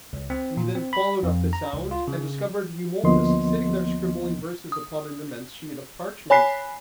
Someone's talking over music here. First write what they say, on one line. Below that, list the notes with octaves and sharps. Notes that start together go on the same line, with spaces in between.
We then followed up the sound and discovered Eumolpus, sitting there scribbling verses upon an immense sheet of parchment!
C#2
C4
A#2
C4
B5
F2
A#5
C#2
F4
C#3
D2 F3 A#3 B3 D#5 C6
D#6
C#5 G#5 B5 F#6 B6 C7